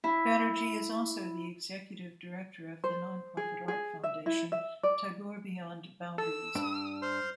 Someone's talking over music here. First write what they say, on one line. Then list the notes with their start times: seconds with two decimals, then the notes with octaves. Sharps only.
Banerjee is also the executive director of the nonprofit art foundation Tagore Beyond Boundaries.
0.04 E4
2.84 C5
3.37 G#4
3.68 G#4
4.04 E5
4.26 E4
4.52 E5
4.83 D5
6.18 A4 E6
6.55 G2 D4
7.02 C5 C6 F6